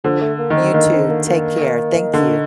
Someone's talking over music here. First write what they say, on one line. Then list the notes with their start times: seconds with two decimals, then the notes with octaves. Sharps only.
You too. Take care. Thank you.
0.04 D3 F3
0.21 A3
0.39 A#3
0.50 D#3
0.57 C4
0.73 D#3 A#3
0.92 C4
1.09 A#3
1.27 A#3
2.14 D3